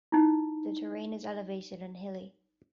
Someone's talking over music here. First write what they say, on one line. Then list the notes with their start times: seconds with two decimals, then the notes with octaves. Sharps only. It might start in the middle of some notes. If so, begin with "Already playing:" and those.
The terrain is elevated and hilly.
0.12 D#4 E4